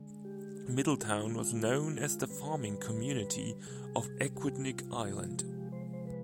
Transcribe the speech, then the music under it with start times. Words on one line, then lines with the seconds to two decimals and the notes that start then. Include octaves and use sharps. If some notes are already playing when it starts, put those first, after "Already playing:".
Middletown was known as the "farming community" of Aquidneck Island.
Already playing: D3 G#3
0.25 G4
0.93 D3 G4
0.98 G#3 F4
1.11 D#4
1.21 F4
2.30 D3 G3 B4
3.67 C3 G3 G#4
4.36 G4
4.70 F4
5.04 C3 F3 G#3 F4
5.38 G4
5.72 C5
5.93 C5
6.07 B4